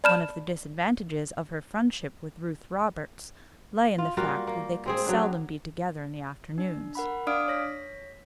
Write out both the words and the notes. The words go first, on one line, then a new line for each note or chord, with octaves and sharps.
One of the disadvantages of her friendship with Ruth Roberts lay in the fact that they could seldom be together in the afternoons.
D5 A5 B5 F6 G6 E7
F4
G3 A#3 F4 F#4
A#3
G#3 C4 G#4
F#3 D4
D4
A#4 F#5 B5
D4 D5 F5 D#6 F6 D7
C#5 A#6 B6